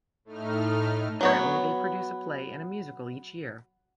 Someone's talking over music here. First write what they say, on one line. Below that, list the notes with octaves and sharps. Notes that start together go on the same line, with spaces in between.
Currently, they produce a play and a musical each year.
A2 A3 D#4 F6
F#3 B3 C#5